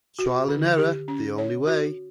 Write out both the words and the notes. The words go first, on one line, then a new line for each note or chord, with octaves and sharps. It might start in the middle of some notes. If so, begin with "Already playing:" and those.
Trial and error. The only way.
F#4
D3
G4
C#4
C#5
F#4